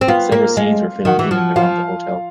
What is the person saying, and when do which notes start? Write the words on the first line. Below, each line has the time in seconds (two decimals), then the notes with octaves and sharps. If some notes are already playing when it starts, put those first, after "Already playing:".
Several scenes were filmed in and around the hotel.
0.01 C4
0.07 B3 F4 F5
0.32 A#3
0.57 G#3
1.05 D#3 F#4 F#5
1.19 E3
1.31 F3
1.56 F3 F4 F5